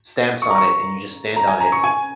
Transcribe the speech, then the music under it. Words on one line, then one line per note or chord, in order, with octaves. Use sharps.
stamps on it, and you just stand on it,
C#6
A#5
C#6
A#5
G#5
A#5
C#6
G#5